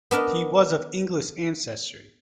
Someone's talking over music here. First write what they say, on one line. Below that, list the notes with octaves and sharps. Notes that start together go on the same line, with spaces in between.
He was of English ancestry.
B3 D4 A#4 D#5